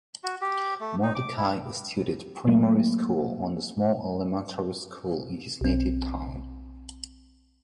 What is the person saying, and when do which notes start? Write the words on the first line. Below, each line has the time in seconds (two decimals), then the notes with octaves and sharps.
Mordecai studied primary school on a small elementary school in his native town.
0.23 F#4
0.41 G4
0.80 A3
1.03 D#4
1.15 D6
1.37 E4
2.47 F#3 A3 A#3
5.61 B1 C4